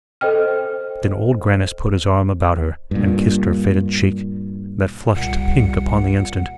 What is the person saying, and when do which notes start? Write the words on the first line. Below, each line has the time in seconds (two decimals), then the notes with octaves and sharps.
Then Old Grannis put his arm about her, and kissed her faded cheek, that flushed to pink upon the instant.
0.21 A4 C5 D#5 G5 F6
2.91 G2 A#2
5.16 C2 A#2 G3 F#5